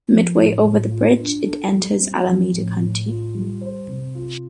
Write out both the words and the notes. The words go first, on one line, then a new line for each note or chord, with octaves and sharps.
Midway over the bridge, it enters Alameda County.
F3
A2
A2
F4
D4
A4
G3
C4
F3
A2
A2
F4
G3
C5
C3
F4